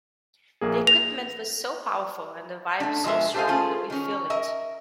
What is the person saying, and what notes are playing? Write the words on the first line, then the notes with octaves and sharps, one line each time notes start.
The equipment was so powerful and the vibe so strong that we feel it.
A#1 A#3 G#4
A#6 F7
A3 D4
B2 F3 G#3 E5
G4 A4 C5 E5 F5 G#5
C#4 F4 G#4 A4 C5
D#3 C#4
A#4 D#5 E5